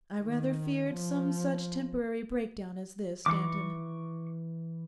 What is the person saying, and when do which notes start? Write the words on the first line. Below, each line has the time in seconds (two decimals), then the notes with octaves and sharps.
'I rather feared some such temporary breakdown as this, Danton.
0.22 D#3
0.91 F3
3.26 E3 C#6 D6